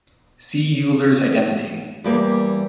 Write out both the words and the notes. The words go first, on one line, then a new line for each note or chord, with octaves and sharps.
See Euler's identity.
E2 G3 A#3